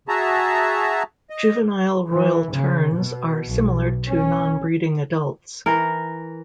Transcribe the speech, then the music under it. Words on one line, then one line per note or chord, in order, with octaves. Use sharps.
Juvenile royal terns are similar to non-breeding adults.
F#4 G#4 E5 A5 A#5
D#5
E3
C#3
B2
B1
C#4
E3 A#4